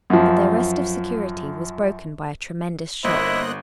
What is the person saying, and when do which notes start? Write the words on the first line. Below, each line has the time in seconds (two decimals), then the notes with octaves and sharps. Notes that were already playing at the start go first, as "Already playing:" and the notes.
But their rest of security was broken by a tremendous shock.
0.10 F#2 F3
3.04 G1 A#3 E4 C5 D#5 F#6